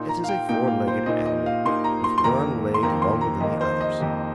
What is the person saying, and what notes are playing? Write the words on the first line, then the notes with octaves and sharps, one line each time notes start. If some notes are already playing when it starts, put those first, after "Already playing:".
It is a four-legged animal, with one leg longer than the others.
Already playing: A#2 A#3 D#4 C6
A#5
F5
G5
A#2 A#3 D#4 G5
F5
C5
A#2 A#3 D#4 D#5
D#5
F5
A#2 A#3 D#4 C6
A#5
C6
C6
F2 D#3 A#3 A#5
C6
F2 D#3 A#3 A#5
C6
A#5
F2 D#3 A#3 D#5
C5
D#5
F2 D#3 A#3